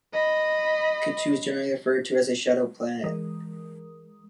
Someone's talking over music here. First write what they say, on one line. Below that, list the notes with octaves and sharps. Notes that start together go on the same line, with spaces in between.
Ketu is generally referred to as a "shadow" planet.
D#5 B5
E3 G#3 A#4 D#6